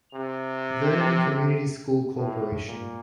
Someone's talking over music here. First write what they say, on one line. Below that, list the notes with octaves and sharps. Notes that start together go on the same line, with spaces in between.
Vernon Community School Corporation.
C3
A2
A#2